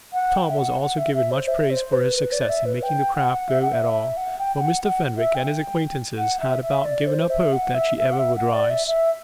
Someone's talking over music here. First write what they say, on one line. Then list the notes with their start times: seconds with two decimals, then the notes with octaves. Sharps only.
Tom was also given much praise for his success in making the craft go at all, for Mr. Fenwick and his acquaintances had about given up hope that she ever would rise.
0.13 F#5
0.36 G5
0.50 E5
0.58 F#5
0.82 F#5
0.98 E5
1.14 E5
1.31 C5
1.48 E5
1.71 C5
1.92 B4
2.16 B4
2.32 D5
2.49 E5
2.66 B4
2.83 G5
3.15 F#5
3.49 E5
3.62 F#5
3.73 E5
4.17 F#5
4.39 G5
4.56 G5
4.61 F#5
4.84 F#5
5.17 E5
5.35 G5
6.18 F#5
6.41 E5
6.63 E5
6.85 D5
7.07 C5
7.30 E5
7.53 F#5
7.75 E5
7.97 E5
8.13 F#5
8.19 E5
8.36 F#5
8.54 D5
8.70 E5
8.87 E5